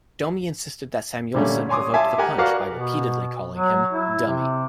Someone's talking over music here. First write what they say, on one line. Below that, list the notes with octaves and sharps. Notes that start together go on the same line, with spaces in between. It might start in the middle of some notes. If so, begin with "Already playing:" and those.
Domi insisted that Samuelsson provoked the punch by repeatedly calling him "dummy".
A#2 D3 G3 A3 C#4
C#5 G#5 C6 D6 D#6
E5 G#5 A5 C6 D6
G4 A#4 F#5 G#5
F#4 A#4 B4 D5 F5 F#5
B2
F#3
E4
C3